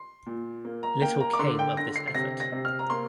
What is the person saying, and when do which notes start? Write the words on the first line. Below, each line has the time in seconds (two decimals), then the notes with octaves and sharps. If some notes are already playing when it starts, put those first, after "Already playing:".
Little came of this effort.
Already playing: C6
0.26 A#2
0.65 A#3
0.83 A#5
1.02 A#3 G5
1.20 A#5
1.33 D6
1.39 D3 C6
1.59 G5
1.77 D3 A#6
1.96 C7
2.07 C7
2.15 C3 A#6
2.40 A#6
2.52 C3
2.65 F6
2.79 A#5
2.90 A#3 C6